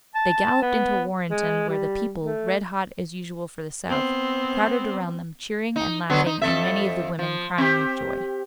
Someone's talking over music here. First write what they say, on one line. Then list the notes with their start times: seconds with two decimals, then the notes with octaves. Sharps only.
They galloped into Warrenton where the people, red hot as usual for the South, crowded around them cheering and laughing and many of the women crying with joy.
0.15 A5
0.62 B3
1.30 G#3
1.69 G3
2.22 A3
3.88 B3 C4
5.76 D#4
6.10 D3 F#3 B3
6.26 D#4
6.42 F2 A4 E5
7.19 F3
7.58 C4 G4